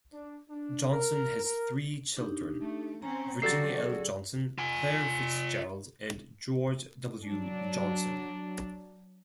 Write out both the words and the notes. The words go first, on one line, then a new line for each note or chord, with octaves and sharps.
Johnson has three children: Virginia L. Johnson, Claire Fitzgerald, and George W. Johnson.
D4
D4
A#4
A#4
D4 D#4 G4
A3
C4 C#4 A#5
C#3 F#3 F#4 G4 A4 D5 A6 C7
G#4
F4 G#5
F#3 D4